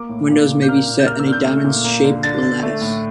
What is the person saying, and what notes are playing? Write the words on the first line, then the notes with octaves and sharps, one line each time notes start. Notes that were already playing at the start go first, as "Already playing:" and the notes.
Windows may be set in a diamond-shaped lattice.
Already playing: A#3 D6
A2
A#2
A#2
G6
A#3 F6
A#2
G6
A#3 F6
E6
D3
G6
A3
A#2
A#3
D3
D3 A6
D3
A3
A2